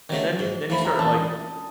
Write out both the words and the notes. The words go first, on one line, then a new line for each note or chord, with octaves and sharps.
And then you then you start, like,
D#3 F#3 A3
G#2
F3 A3 B5
A#5
A1 A5
D#6